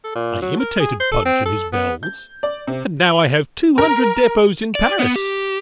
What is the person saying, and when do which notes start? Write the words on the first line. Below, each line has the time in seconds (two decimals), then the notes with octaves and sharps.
I imitated Punch and his bells, and now I have two hundred depots in Paris.
0.04 A4
0.15 A#2
0.42 F#3
0.60 A#4
0.80 G#4
1.00 C5
1.12 A4
1.25 C4
1.46 A4
1.73 B3
2.03 G6
2.43 D5
2.67 C3
3.78 A#4
4.75 D5
4.99 B3
5.16 G4